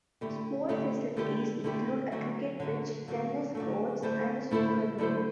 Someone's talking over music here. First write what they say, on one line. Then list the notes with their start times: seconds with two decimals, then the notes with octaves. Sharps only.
Sport facilities include a cricket pitch, tennis courts and a snooker room.
0.21 D3 A3 E4 G4
0.69 D3 A3 E4 G4
1.16 D3 A3 E4 G4
1.64 D3 A3 E4 G4
2.11 D3 F#3 A3
2.60 D3 F#3 A3
3.08 D3 F#3 A3
3.55 D3 F#3 A3
4.02 D3 A3 E4 A4 C5
4.51 D3 A3 E4 A4 C5
4.98 D3 A3 E4 A4 C5